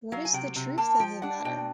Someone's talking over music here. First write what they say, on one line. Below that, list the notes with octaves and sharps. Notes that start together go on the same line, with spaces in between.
What is the truth of the matter?
F#3 F5
G#5
C3 G5
C3
A#3 A5
F3 G5
D4 F#5
B2 G5